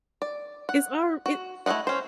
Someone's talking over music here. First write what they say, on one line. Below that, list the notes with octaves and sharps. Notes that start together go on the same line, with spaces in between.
is our i
D5
F#5
F#4
A3 E4 B4 D#5 F#5
C#4 C5